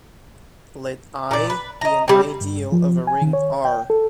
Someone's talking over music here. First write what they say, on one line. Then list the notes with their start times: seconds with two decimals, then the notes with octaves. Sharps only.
Let "I" be an ideal of a ring "R".
1.31 A#2 D5
1.50 B4
1.81 D#5 A#5
2.08 G3 C4
2.41 G2
2.72 F3
3.07 G#5
3.22 D#3
3.33 C#5
3.65 G5
3.90 A4